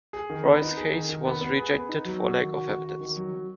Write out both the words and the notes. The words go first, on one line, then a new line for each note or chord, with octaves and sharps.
Floris's case was rejected for lack of evidence.
G#4
D#3
B3
D#4
G#4
D#3
D#3
B3
B3
G#4
B3
D#4
F#3
F#4
D#3
F#4
D#3
F#4
D#3
F#3
F#3